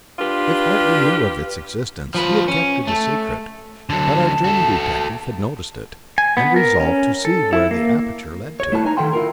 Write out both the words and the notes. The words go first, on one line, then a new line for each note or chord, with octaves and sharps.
If Hartly knew of its existence, he had kept it a secret, but our German detective had noticed it, and resolved to see where the aperture led to.
D4 F4 G4 B4
F3 B4
C#4
A3
D3 F#3 A5
F#4 A4
G#5
B3
A#4
C#4
A4
E4
A#3
C#5
A3 E4 B4 A5
D#4 G#5 A#5
D#3 A4 F#5 G5 C6
E4 F4 A#4